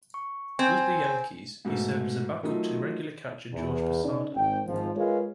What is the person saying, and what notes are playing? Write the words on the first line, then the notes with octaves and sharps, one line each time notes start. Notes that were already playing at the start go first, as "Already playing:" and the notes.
With the Yankees, he served as a back-up to regular catcher Jorge Posada.
C#6
C4 G#5 C6 G6 G#6
G#2 B2 G#3 A3
D#3 F#3 A3 D#4 F4
E2
C#3 C#4 D#4 D5
G#1 G5
G#1 F3
G#3 F4 A#4 B4 C#5 F5